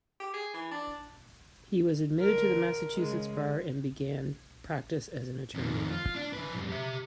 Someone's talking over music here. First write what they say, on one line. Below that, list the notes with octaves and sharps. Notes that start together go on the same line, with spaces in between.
He was admitted to the Massachusetts Bar and began practice as an attorney.
G4
G#4
E3
D4
D3 A#4
C#3 G#3
F2 D#3
F4
D4
F3 B4
F2 G3
G4 E5